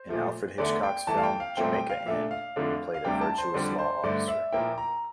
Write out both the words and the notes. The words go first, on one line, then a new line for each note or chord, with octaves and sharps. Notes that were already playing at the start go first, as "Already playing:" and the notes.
In Alfred Hitchcock's film "Jamaica Inn", he played a virtuous law officer.
Already playing: C5
A#2 F3 A3
E2 D3 A3 D5
G5
E2 E3 A3 A5
F5
G5
F5
C2 A#2 A3 C4 G5
G5
F5
A#2 A3 D4 E5
F5
F2 D3 A3 D4
F5
D2 C3 G3 D4 G5
A5
C5
F2 D3 G3 D4 D5
C5
G2 D3 A3 D5
E5
A#2 F3 A#3 E4 G5
A#5